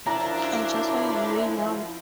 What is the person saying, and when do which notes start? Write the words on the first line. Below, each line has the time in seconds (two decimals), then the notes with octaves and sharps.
I'm just on my way now.
0.07 F#2 F3 D4 E4 A#5